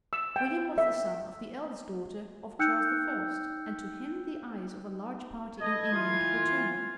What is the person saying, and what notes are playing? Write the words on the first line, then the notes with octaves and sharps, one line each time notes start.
William was the son of the eldest daughter of Charles I, and to him the eyes of a large party in England were turning.
E6
G5
E5
D#4 G5 E6 F#6 G6 C#7
A4 B4 D#5 G#6
E3 F4